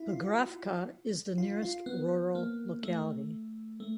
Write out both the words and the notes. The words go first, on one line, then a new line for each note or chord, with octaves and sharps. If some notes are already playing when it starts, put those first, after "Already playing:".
Pokrovka is the nearest rural locality.
Already playing: E4
F4
F#4
F4
F4
B3
A#3
A3
A3